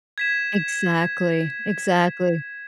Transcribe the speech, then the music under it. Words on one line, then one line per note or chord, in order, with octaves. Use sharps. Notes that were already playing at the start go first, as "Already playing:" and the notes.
Exactly, exactly.
G#6 B6 E7